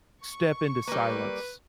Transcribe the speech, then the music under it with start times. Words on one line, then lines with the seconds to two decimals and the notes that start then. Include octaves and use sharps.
step into silence,
0.23 C#6
0.88 G3 A#3 B4